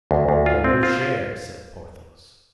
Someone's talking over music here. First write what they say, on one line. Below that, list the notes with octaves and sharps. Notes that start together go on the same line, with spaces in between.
"We will share," said Porthos.
D2
D2
F4
C4
F4
F4